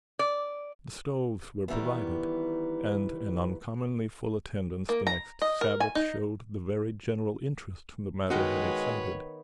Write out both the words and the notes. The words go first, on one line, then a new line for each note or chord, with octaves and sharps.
The stoves were provided, and an uncommonly full attendance the next Sabbath showed the very general interest the matter had excited.
D5
D#3 E3 G3 B3
A#3
A#5
D#5
A#4
G#5
D#4
D#3 G#3 B3 D#4 F#4 B4 C#5